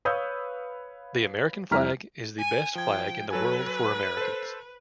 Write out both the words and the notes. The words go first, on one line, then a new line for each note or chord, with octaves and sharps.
The American flag is the best flag in the world for Americans.
B4 C#5 F5 D#6 E6 G6
F2 G3 E4 A#5 F6 B6
G#5
F3 G5 G#6
F#3 A4 B4 G#5
A4 C5